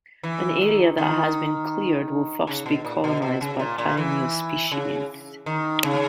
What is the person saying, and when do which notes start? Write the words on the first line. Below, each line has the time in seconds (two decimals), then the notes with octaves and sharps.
An area that has been cleared will first be colonized by pioneer species.
0.23 E3
0.61 D#3
0.98 D#3
2.47 C#3
2.66 B2
2.85 A#2
3.04 B2
3.22 B2
3.41 C#3
3.59 A#2
3.78 A#2
3.97 E3
4.72 C#3
5.46 D#3
5.84 C#3